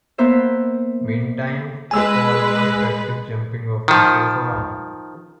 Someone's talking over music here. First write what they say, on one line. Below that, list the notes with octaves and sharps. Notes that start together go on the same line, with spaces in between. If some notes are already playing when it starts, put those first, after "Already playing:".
Meantime Paul must practise jumping off the sofa arm.
A#3 B3 A#4 C5 E5
G#3 B4 G#5 E6
D#3 F3